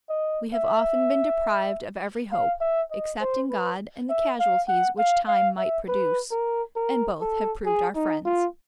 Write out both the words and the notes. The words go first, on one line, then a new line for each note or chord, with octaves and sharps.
We have often been deprived of every hope, except in God and the casualties which time might produce, and both have proved our friends.
D#5
E5
F5
E5
D#5
C5
B4
E5
F5
F#5
F5
F5
E5
B4
A#4
A#4
A4
G#4
D#4
F4